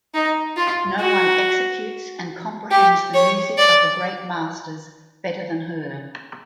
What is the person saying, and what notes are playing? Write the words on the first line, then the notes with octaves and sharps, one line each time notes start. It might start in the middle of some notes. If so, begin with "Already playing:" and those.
No one executes and comprehends the music of the great masters better than her.
D#4
F4
F#4
G4
C#5
D5